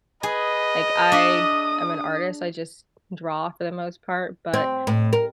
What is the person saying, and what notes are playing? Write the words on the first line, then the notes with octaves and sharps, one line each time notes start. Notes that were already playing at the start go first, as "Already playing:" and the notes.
Like, I am an artist. I just draw for the most part, but
G#4 B4 D#5
D4 E5 D#6
C4
A2
A#4